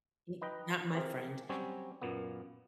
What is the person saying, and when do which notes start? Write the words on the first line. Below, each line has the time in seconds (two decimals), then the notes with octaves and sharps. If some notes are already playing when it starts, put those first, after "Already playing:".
M not my friend.
0.41 D#4 B4 D#5 G5
0.94 C4 G4 G#4 A#4 C5
1.49 F#3 G3 C4 C#4 G4 C#5
2.02 F#2 A#2 A#3 B3